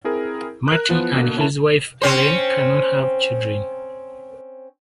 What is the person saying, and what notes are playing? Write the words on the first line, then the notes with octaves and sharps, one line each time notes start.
Marty and his wife Elena cannot have children.
C4 E4 G#4 A#4
A#4 F#6
E3 F3 B3
B2 D3 A#3
C#4 E4 A#4 A5
C4 C#4 C5